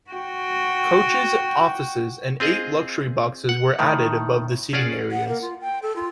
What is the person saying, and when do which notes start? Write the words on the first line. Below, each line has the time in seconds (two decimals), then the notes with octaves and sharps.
Coaches offices and eight luxury boxes were added above the seating areas.
0.11 F#4 G5
2.40 C4 F4 G#4 D#5
3.49 F#5
3.79 A2 D#3
4.73 C#4 F4 G#4 D5 F5 F#5
5.11 F#5
5.28 A#3
5.41 F4
5.61 G5
5.82 A4
5.96 F4